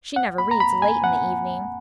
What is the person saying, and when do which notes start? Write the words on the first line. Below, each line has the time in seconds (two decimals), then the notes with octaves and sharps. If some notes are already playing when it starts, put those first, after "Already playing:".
She never reads late in the evening.
0.16 F#5
0.38 B5
0.51 A#5
0.60 B5
0.82 G#5
1.04 F#5